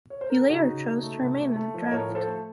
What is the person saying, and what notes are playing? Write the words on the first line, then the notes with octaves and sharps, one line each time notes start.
He later chose to remain in the draft.
C#5
C5
A#4
A4
C#3 D#4 F#4
C#3
A3
A3
C3
A3
A3
F3
D#5
A2 A#4 C#5
F3
A4 C5
A3